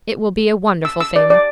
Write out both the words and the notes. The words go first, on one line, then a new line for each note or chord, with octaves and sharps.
It will be a wonderful thing!'
E6
E6
D5
D5